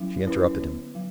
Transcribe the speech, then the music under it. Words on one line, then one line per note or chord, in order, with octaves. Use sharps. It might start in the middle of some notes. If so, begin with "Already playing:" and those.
She interrupted him.
Already playing: F#3 C#4 E4
C#4 E4 B4
D3
F#3